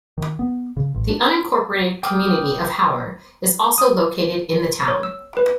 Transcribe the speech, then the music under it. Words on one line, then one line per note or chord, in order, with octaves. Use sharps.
The unincorporated community of Hauer is also located in the town.
D#3
B3
C#3
A1
D4
G5 D6 D#6 F6
D#6
C#5
E6
B4